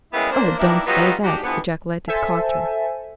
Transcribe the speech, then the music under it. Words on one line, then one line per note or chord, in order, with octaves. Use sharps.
"Oh, don't say that!" ejaculated Carter.
G3 G#3 A#3 B3 C#4 E4
A#3 D4 C5
D#3 A#3 B3 D4 E4
F#3 G3 B3 D#4 F4 D#5
G#2 D4 F#4 G4
D3 E3 F3 G3 B3
A4 C5 E5 G#5